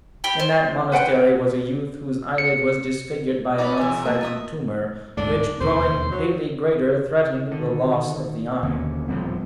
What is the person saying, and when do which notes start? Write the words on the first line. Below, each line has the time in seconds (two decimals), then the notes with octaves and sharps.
In that monastery was a youth whose eyelid was disfigured by an unsightly tumour, which growing daily greater, threatened the loss of the eye.
0.24 G4 G5 B5
0.40 C5
0.92 B4 F#5 G5
2.38 C#7
3.58 C#4 D#4 B4 D5
3.78 E2 C3 E5 G#5
4.05 A#3 E5 A5
4.21 D#5 E5 D#6
5.17 D1 G#2 G#3 D4
5.61 E1 D#2 C#3 C5
6.12 F#3
7.51 D3 D#3
8.63 D#2 D3 A#3 C#4
9.08 D#1 C2 A2 F3 G3 B3